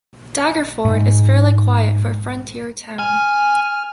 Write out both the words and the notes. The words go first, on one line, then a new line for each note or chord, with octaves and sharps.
Daggerford is fairly quiet for a frontier town.
G#2
G#5 F6